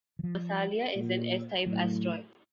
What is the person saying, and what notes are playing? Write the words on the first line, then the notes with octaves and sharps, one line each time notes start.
Massalia is an S-type asteroid.
E3
F3
A#2
A2 F#3